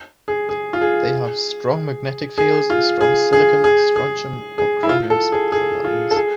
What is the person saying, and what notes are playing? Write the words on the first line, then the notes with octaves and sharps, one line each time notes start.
They have strong magnetic fields and strong silicon, strontium, or chromium spectral lines.
G#4
G#4
F4
G#4
G#4
F4
G#4
G#4
G#4
G#4
G#4
E4
F4
A4
G#4
G#4
F4
A4
G#4